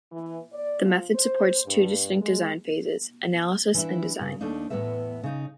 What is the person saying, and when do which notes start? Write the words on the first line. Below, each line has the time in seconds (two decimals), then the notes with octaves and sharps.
The method supports two distinct design phases: analysis and design.
0.12 E3
0.53 D5
0.84 F3
1.15 C5
1.65 G2
2.20 G#3
3.74 E3 D4 E4
4.19 G2 C#3
4.41 D#2 A3 A#3 D4 D#4
4.70 E2 A2 F#3 B3 B4 E5
5.23 C#3 D#4